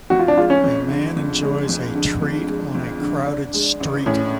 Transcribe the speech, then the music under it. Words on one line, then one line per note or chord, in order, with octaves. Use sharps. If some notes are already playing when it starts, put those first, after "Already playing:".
A man enjoys a treat on a crowded street.
F2 F#4
F4
D4
G#3 F4
C#4
F2
D3
F2
G#3
F2
D3
F2
G#3
F2
D3
D4
G#3
A1
A2 C#4